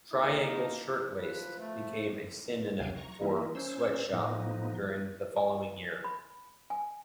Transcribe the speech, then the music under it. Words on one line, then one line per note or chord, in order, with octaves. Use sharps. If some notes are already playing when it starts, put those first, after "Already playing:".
Triangle Shirtwaist became a synonym for "sweatshop" during the following year.
A#3 D#4
F3 B4
A3
D#2 C3 F5 G5 G#5
A#5 C#6
E3 A#3 D#4 E4
C#4 C5 E6
A2 F3 B3 D#4
G#5
B5
G#5